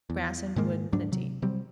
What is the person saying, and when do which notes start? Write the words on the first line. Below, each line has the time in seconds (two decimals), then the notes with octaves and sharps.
Grass and wood plenty.
0.10 E2
0.56 G#2 D#3 G#3 A#3
0.93 D2 G#2 F#3 D4
1.12 C3 F#3
1.42 C3 F#3 G3 C4